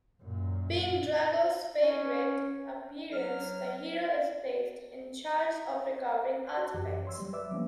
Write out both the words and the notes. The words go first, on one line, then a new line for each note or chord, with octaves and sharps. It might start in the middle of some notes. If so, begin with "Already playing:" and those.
Being Drogan's favorite apprentice, the hero is placed in charge of recovering the artifacts.
F#2 A#2
C#4
F#3 F6
F#4
F#2 E3 G4
C#5 C6 E6
F#3 G3
B4 D5 E5 D6 E6
F3 G3 A#3 B3 C#4